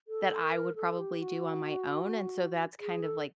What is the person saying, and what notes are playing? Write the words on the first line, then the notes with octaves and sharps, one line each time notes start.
that I would probably do on my own, and so that's kind of, like
A4
A#4
A4
G4
F#4
G#4
A4